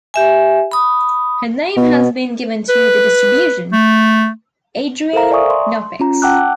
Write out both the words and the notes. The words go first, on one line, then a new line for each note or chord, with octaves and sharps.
Her name has been given to the distribution: Adriane Knoppix.
G4 E5 G#5
B5 D#6
B2
B4
A3
A4 A#4 C5 F5 A#5
D5 E5 G#5 A#5 C#6 D#6
C6
C#4 F4 A#5
F#5 G5 A5 D6 E6 F#6